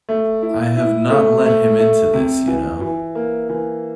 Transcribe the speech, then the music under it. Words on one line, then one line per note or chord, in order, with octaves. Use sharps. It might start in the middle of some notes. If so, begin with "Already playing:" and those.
I have not let him into this, you know.
A3
E4
E4
A3
A3
A3
C3
E3
E3
A#3
E3